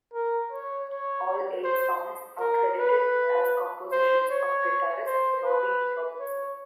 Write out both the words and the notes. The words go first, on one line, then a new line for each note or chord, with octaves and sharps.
All eight songs are credited as compositions of guitarist Robbie Robertson.
A#4
C#5
C#5
C5
A#4
B4
C5
C#5
C5
B4
C#5